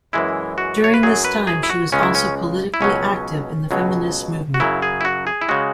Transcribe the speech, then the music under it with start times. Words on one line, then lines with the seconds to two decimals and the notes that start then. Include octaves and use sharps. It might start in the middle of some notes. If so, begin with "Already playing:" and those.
During this time she was also politically active in the feminist movement.
0.13 F#2 E3 G#3 E4
0.58 F#4
0.84 C#5
0.94 B4
1.03 F#2 F#3 G#4
1.24 B4
1.47 G#4
1.63 E4
1.69 F#4
1.92 C#2 C#3 G#3 C#4
2.03 E4
2.15 C#4
2.74 E4
2.81 C#2 B2 F#3 C#4
3.71 C#2 B2 F#3
4.54 F#4
4.60 F#2 C#3 F#3 E4
4.82 G#4
5.01 E4
5.05 F#4
5.27 G#4
5.41 E4
5.49 C#3 G#3 F#4